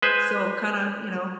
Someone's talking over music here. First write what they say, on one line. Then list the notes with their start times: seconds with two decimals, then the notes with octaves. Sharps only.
So, kinda, you know
0.02 G#3 B4 C5 G#5